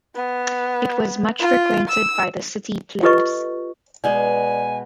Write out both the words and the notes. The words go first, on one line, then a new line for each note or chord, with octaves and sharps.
It was much frequented by the city "plebs".
B3
F4
E6
F4 G4 A4 B4 D#5 C#6
B2 G#3 D5 G#5